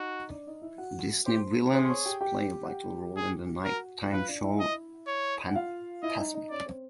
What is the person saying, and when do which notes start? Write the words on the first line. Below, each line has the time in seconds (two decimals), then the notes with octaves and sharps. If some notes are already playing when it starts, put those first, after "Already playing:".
Disney villains play a vital role in the night time show Fantasmic!
Already playing: D#4 F#4 D#5
0.30 D4 D5
0.47 D#4 D#5
0.62 E4 E5
0.78 F#4 F#5
1.26 G4 C5 C6
1.74 G#4 C5 C6
1.85 C6
1.89 C#5 C#6
2.05 G4 G5
2.21 G4 G5
2.64 F#5
2.68 G4 G5
3.17 G#4
3.65 F#4 A#4 F#5
4.12 F4 B4 F5
4.28 D4 D5
4.43 E4 E5
4.60 D#5
5.07 C#5
5.47 F#5
5.55 F4 F5
6.03 E4 D#5 E5
6.18 D#4 D#5
6.34 D#4 D#5
6.50 C#4 C#5 D5
6.66 C4 C5